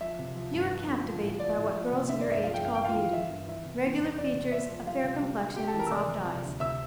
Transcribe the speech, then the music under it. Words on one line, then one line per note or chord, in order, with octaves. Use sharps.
You are captivated by what girls of your age call beauty, regular features, a fair complexion and soft eyes.
F3 E5
C3
F3
G2
F3
D3
F3
A2
F3 D5
A2
F3
C3
D3 E5
D5
G2 E5
F3 F5
G5
G2 F5
A#3 G5
F4 F5
E3
E3 E5
G2
E3 E5
C3
E3
E2
E3 D5
C3
C4 E5
F3
G3 F4 F5
C3
G3
D3
A3 G4 G5
A4 A5
E3
A#4 A#5
E6
C3 D5 D6
F2
C3
D2
C3 E5 E6